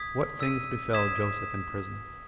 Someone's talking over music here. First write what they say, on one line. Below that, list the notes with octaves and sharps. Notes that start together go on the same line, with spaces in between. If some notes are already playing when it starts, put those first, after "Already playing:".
What Things Befell Joseph In Prison.
Already playing: D#6 G#6 B6
E6 B6 D#7
D#6 G#6 B6 E7